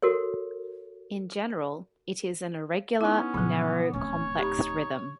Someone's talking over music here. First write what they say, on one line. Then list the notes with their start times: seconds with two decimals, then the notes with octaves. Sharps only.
In general, it is an irregular, narrow complex rhythm.
0.02 F#4 A4 A#4 C#5
3.01 B3 C#4 D#4 E4
3.34 A#2 C#3 F3 F#3 D#4
3.93 D1 C#4 D4 C#5
4.38 D#4 G4 B5